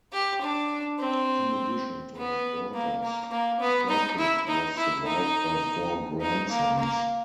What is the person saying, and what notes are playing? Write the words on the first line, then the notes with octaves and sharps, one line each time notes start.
In addition to his daughters, Hurtig was survived by four grandsons.
G4
D4
C4
B3
A#3
A#3
A#3
B3
D#4
E4
D#4
E4
D#4
D#4
A#3
A#3